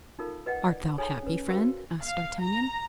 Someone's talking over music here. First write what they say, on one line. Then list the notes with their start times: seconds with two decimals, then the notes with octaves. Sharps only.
"Art thou happy, friend?" asked D'Artagnan.
0.19 D#4 F4 A4 A#4 F5
0.46 B4 D#5 F#5 G5
0.69 D5
0.98 D#4 G#4 A4 C#5 G#5
1.22 C#4 B4
1.48 F#4 A#4 C5 F5 G5
2.03 F5
2.40 A#5